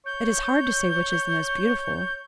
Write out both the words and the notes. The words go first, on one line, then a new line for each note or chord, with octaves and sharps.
"It is hard to say which is the most beautiful."
C#5 G6